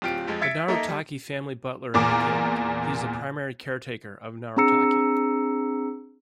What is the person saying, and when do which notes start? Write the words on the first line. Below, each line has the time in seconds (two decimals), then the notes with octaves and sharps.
The Narutaki family butler and mechanic, he is the primary caretaker of Narutaki.
0.02 D1 C4 F4 G4 D7
0.28 F2 F3 G#3
0.41 E5 G#6 A6 B6 C#7 D7
0.68 A#3 D#4 A4 A#4 E5
0.89 G3
1.94 E2 A#2 A#4 D6
4.57 C4 D4 G#4 A#5 E6 C#7